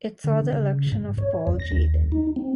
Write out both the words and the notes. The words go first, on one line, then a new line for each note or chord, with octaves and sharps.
It saw the election of Paul Jadin.
D3
C#3
G#2
C#5
F2
A#6
D#2
D#4
C4